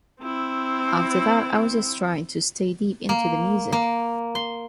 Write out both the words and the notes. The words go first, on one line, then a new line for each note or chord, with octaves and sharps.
After that I was just trying to stay deep into the music.
C4 E4
A#3
A#3
C6